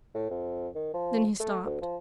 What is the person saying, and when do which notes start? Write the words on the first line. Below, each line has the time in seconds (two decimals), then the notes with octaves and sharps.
Then he stopped.
0.15 A2
0.30 F2
0.75 D#3
0.94 F3
1.40 A3
1.66 D2
1.81 F3